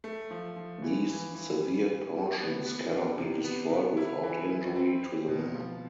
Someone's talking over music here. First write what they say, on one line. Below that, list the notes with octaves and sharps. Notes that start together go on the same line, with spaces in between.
These severed portions cannot be destroyed without injury to the man.
A3
F3
F3
E3
E3
E3
G3
G3
G3
B3
B3
D4
C3
B3
C3
E4
E3
E4
C4
C4
B2
F3